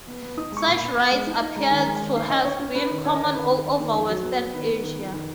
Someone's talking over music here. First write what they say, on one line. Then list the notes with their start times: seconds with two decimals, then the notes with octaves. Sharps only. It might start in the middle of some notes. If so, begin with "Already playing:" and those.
Such rites appear to have been common all over Western Asia.
0.08 B3
0.22 B3
0.37 D#4 D#6
0.52 G#3 C#6
0.68 A#2
0.77 B5
0.82 B3
0.97 B3
1.12 G#3
1.27 D#4
1.42 D#4
1.56 G#3 A#5
1.70 D#3
1.76 A#5
1.86 G#3
1.96 G#5
2.01 D#3
2.15 D#3 F5
2.30 C#4 D#5
2.45 C#4 C#5
2.60 C#4
2.75 C#4 B4
2.91 D#3
3.04 D#3 C#5
3.14 D#5
3.20 D#3 C#5
3.34 D#3 B4
3.50 D#3
3.65 D#3
3.80 D#3
3.94 F2
4.09 F#3
4.23 B3
4.39 B3
4.54 D#3 B4
4.69 B3
4.83 D#3
4.99 F2
5.13 D#3